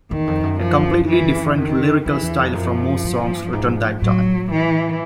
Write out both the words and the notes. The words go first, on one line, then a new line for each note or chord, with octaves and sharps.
A completely different lyrical style from most songs written that time.
E2 D#3
F2
F#2
F3
E3
F2 D#3
F2 E3
E2
F2
F#2 F3
G2
G#2
A2 F#3
E3